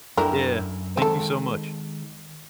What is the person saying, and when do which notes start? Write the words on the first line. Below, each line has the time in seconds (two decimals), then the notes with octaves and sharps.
Yeah. Thank you so much.
0.17 F#2 A3 D4 E4 A#4 G5
0.97 D#3 G#3 C4 A4